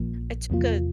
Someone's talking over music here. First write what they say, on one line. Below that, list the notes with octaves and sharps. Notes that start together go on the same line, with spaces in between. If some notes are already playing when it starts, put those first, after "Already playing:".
I took a
Already playing: A#1 A#2 F3 A#3
E2 C3 F3 A#3 F4